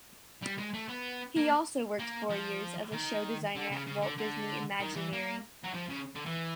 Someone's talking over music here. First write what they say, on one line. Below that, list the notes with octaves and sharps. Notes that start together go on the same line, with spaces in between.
He also worked four years as a Show Designer at Walt Disney Imagineering.
G3
G#3
A3
B3
A#3
A#3
F3
D#3
D3
C#3
C#3
D3
D3
D#3
E3
A#3
F#3
F3
C#3
D3
E3